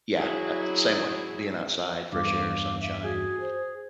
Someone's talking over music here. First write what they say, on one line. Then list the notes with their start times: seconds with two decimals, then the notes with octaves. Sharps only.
yeah, uh, same way. Being outside, fresh air, sunshine,
0.15 F#3 E4 G#4
2.13 E2 G2 F5 D6
2.80 E5
3.03 F#4 G#4
3.40 C5